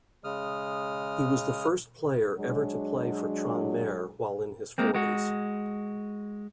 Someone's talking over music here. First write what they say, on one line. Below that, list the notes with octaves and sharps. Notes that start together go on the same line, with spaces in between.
He was the first player ever to play for Tranmere while in his forties.
C#3 G#3 D#6 F6
F#3 G#3 D4
G#3 A#3 C4
G#3 F#4